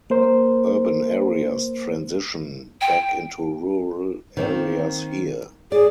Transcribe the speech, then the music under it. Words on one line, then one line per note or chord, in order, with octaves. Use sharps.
Urban areas transition back into rural areas here.
A#3 A#4 C5
G5
D#3 A#3 C4
G#4 D5